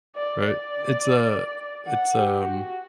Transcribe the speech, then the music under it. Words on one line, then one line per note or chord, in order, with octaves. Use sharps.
Right, it's a it's, um
D5
D5
F#5
G4
F#4